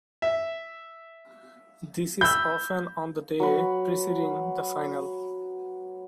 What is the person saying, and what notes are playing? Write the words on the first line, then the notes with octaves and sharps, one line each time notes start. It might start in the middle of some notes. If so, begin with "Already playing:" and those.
This is often on the day preceding the final.
E5
B5 E6 G6
F#3 B4